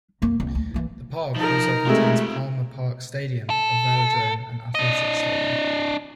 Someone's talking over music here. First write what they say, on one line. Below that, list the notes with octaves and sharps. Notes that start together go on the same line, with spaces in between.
The park also contains Palmer Park Stadium, a velodrome and athletics stadium.
F2 A#3
C2
D2
E3 A#3
F3 D#4 A#4
G#3 A3 C4 F4 G4 A4 E5
A4
D4 D#5